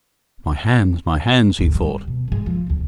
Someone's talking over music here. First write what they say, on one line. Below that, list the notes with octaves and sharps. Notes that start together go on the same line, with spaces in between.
"My hands, my hands," he thought.
G#1 D2
G3
B2
G#2 G#3
F3
D#1 C#2